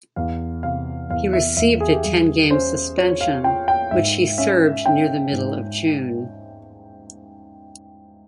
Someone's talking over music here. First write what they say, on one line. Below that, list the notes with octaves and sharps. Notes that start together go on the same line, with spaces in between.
He received a ten-game suspension, which he served near the middle of June.
E2 F5
C3 F5
E2 F5
E5
E2 E5
G#4
G4
G3 G#4
C#4 C5
F4 C#5
F5
F4 G5
G5
G#2 E5
C#4 E5
C#4 G5
G#2